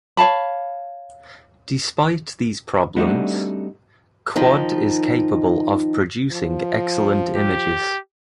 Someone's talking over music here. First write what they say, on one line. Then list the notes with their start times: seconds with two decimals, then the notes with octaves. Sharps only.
Despite these problems, Quad is capable of producing excellent images.
0.17 C#5 F5 A5 B5
2.96 G3 A3 C4 D4 D#4 F#4
4.36 D#3 F3 D#4
6.32 F3
7.36 G4